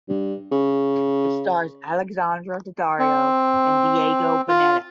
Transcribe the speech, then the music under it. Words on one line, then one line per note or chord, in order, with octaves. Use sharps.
It stars Alexandra Daddario and Diego Boneta.
G2
C#3
C4
F4